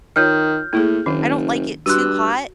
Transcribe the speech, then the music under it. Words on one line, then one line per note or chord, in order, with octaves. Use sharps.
I don't like it too hot,
D#3 F4 C#5 D#5 F6 G6
A2 A#3 E4 G#4
F#1 D#3 D4
G2 F#4 C6 E6 F#6